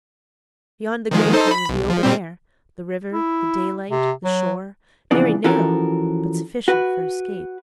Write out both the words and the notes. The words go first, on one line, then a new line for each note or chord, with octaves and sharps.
Beyond the grating was the open air, the river, the daylight, the shore, very narrow but sufficient for escape.
D#3 F3 G#3
D#4 A4 C5
B5
B1
F3
A#2 G3 C4
E4
C3
F#3
A#2 C#3 E3 F3 B3 D4
E3 F3 C#4 F#4 A4 A#4
F#4 B4